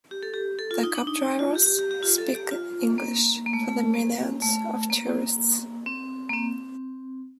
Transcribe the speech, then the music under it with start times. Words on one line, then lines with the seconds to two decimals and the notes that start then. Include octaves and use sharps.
The cab drivers speak English for the millions of tourists.
0.11 G4
0.23 A4
0.34 G4
0.59 A4
0.71 F4
0.83 D#4
0.95 D4
1.07 D#4
1.23 D#4
1.39 F4
1.55 G4
1.66 G4
1.79 G4
1.91 G4
2.03 F4
2.18 A4
2.35 G4
2.51 F4
2.98 A#3
3.46 A#3
3.53 A3
3.69 A3
3.94 A#3
4.42 A3
4.90 A#3
5.86 C4
6.30 A#3
6.33 C4